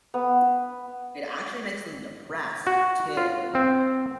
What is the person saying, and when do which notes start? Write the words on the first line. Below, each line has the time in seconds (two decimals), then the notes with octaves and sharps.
It actually makes them depressed too.
0.14 B3
2.67 F#4
3.17 F4
3.55 C4